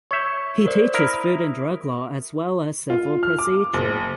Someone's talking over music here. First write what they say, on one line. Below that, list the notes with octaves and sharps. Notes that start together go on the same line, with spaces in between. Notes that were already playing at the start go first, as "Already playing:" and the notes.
He teaches food and drug law as well as civil procedure.
C#5 E5 C#6 G6
A#4 C5 D5
E4 A#4 D#6
F4
F6
D6
F#1